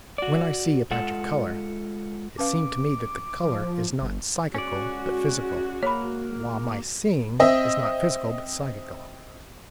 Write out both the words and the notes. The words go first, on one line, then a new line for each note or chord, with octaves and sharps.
When I see a patch of colour, it seemed to me that the colour is not psychical, but physical, while my seeing is not physical, but psychical.
F#4 D5
G#3 F4 A4 F#5
C#4 B4 F5 D6
F3
G1
G#3 C#4 F#4 D5
A#3 C#5 B5
C4 D#5 E5